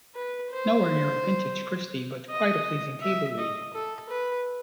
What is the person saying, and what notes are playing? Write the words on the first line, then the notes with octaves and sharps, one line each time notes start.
Nowhere near a vintage Christie but quite a pleasing table-read.
B4
C5
D#5
E5
D#5
A4
B4